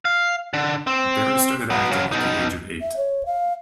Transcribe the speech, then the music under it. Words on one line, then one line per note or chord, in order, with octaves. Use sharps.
Berry started acting at the age of eight.
F5
D3
C4
F#3 B3
C#3 F#3
B2 D#4
E5
C#5
F5